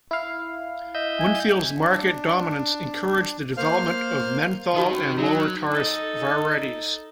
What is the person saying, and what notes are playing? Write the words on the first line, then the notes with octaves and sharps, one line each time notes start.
Winfield's market dominance encouraged the development of menthol and lower tar varieties.
E4 F5
D#5 E5 G6
G#5
D4
A#3 C5 F5 F6
D#3 F#4 A#4 A5
F#3 D#4
D#4 A4